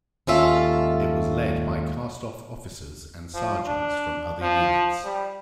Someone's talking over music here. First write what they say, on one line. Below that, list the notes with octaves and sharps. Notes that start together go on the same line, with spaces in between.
It was led by cast-off officers and sergeants from other units.
D#2 G#2 C#4 F4 A4 E5
F3
D4
F3
G3